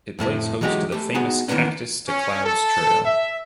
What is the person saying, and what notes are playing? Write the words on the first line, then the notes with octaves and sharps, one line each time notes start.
It plays host to the famous Cactus to Clouds Trail.
F2 A2 A3 E4
E3 F#3 G#3 D#4 F#4 G4
A3 G4
B3 D#4 F#4 G#4
D#3 E3 F#3 A#3 B3 C#4
C#4
A4
E5